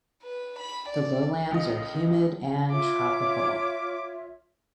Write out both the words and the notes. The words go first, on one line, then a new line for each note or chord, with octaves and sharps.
The lowlands are humid and tropical.
B4
B5
D5
C#2 F4 D#5
F4 C#5 E5 D6